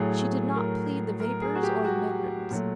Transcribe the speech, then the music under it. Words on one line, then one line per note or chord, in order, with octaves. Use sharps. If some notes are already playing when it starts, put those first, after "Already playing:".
She did not plead the vapours or the megrims.
Already playing: A2 F#3 A3 G#4
A#4
A#4
G#4
F#4
G4
F#4
A#2 F#3 A3